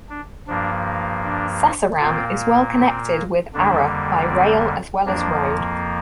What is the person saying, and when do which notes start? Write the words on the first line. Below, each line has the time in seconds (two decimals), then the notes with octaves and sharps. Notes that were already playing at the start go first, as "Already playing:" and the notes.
Sasaram is well connected with Ara by rail as well as road.
0.09 D4
0.47 G2 F3 A#3 D4
1.24 D4
2.00 A#2 A#3 C4 F4
2.76 C4
3.53 F2 D3 G3 A#3 D4
4.30 C4
5.06 F2 F3 A#3 D4